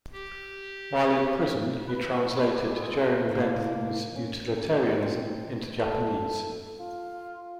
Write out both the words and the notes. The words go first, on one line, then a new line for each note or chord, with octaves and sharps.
While in prison he translated Jeremy Bentham's "Utilitarianism" into Japanese.
G4
B4
A2
E4
G4
G#3
D#5
A2 C3 A#3
C#4
C4
A4
F4